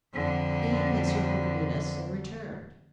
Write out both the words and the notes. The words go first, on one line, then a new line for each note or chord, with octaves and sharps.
He had circled Venus and returned.
F2 D3